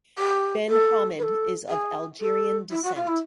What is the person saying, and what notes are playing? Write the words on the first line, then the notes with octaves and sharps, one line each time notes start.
Ben Hamed is of Algerian descent.
G4
A4
B4
A4
G#4
A4
E4
F#4
F4
E4